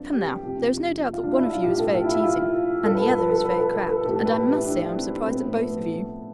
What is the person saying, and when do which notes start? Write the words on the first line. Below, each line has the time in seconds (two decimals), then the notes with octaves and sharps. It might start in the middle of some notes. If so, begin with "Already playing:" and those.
"Come, now, there is no doubt one of you is very teasing and the other is very crabbed, and I must say I am surprised at both of you."
Already playing: G2 F3 C4 D4
0.13 G4
0.43 F2 C3 F3
1.13 F4
1.23 D4
1.33 E4
1.43 F4
1.53 F4
1.63 A2 F3 G4
1.79 A4
1.94 F4
2.04 E4
2.14 E4
2.24 F4
2.84 G2 A4
2.89 F3
2.95 B4
3.04 A4
3.14 B4
3.29 A4
3.45 B4
3.60 A4
3.75 B4
3.89 A4
4.05 A2 G4
4.09 E3
4.16 A4
4.25 B4
4.46 G4
4.56 E4
4.65 D4
4.96 C4
5.10 C4
5.26 A2 F3 B3
5.41 B3
5.56 A3